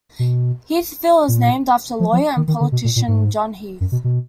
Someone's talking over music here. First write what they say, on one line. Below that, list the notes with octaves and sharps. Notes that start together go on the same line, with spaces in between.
"Heathsville" is named after lawyer and politician John Heath.
B2
A#2
F3
F3
D#3
D#3
D3
B2
A#2
A#2
G#2
F#2
B2
B2